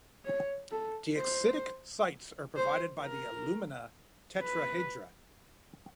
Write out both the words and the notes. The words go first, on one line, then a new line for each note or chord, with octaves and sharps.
The acidic sites are provided by the alumina tetrahedra.
C#5
A4
C5
C5
A#4
B4